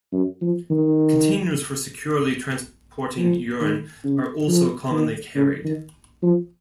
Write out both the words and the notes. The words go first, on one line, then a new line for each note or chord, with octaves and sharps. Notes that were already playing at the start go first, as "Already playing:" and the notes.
Containers for securely transporting urine are also commonly carried.
F#2
F3
D#3
F3
D#3
C#3
F3
D#3
C#3
D#3
F3